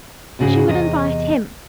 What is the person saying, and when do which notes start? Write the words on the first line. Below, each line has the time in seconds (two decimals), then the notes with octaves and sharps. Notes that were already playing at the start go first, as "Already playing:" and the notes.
She would invite him.
0.39 D2 G#2 C#3 F#4 G#4
0.68 E2 C3 D#5